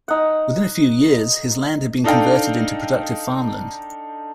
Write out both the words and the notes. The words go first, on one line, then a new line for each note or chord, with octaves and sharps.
Within a few years, his land had been converted into productive farmland.
D#4 F#5
D4 D#4 A4 F5 G5